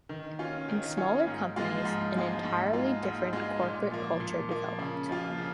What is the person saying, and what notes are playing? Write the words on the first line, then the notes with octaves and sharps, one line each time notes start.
In smaller companies, an entirely different corporate culture developed.
D#3
C#4 F4
D#3
C#4 F4
G#2
F3 G#3 F4
G#2
F3 G#3 F4
G#2
G#3 F4
G#2
G#3 F4
A#2
F3 A#3
A#2
F3 A#3
C#3
F3 A#3 F4
C#3